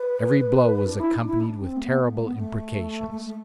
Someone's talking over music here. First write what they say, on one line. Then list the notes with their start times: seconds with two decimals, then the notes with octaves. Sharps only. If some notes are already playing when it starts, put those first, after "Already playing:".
Every blow was accompanied with terrible imprecations.
Already playing: B4
0.86 D4
1.00 E4
1.13 D4
1.26 E4
1.40 D4
1.61 C4
1.77 A3
1.85 B3
2.03 B3
2.10 A3
2.24 B3
2.35 A3
3.10 A3
3.25 A3